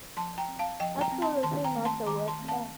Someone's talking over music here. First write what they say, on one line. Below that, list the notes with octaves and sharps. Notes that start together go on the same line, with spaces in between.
Absolutely not the West End.
F3 A5 C6
G5 A#5
C4
F5 A5
F3 D#5 G5
G5 A#5
C4
A5 C6
D#3 A5 C6
G5 A#5
A3 C4
A5 C6
D#3 A#5 D6
A5 C6
A3 C4
F5 A5